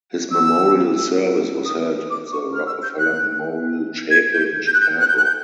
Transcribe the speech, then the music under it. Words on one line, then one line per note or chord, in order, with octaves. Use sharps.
His memorial service was held at the Rockefeller Memorial Chapel in Chicago.
E6
D#6
D6
C#6
F6
E6
G6
F#6
G#6
G6
G6
F#6
G6
F#6
G6
F#6
G6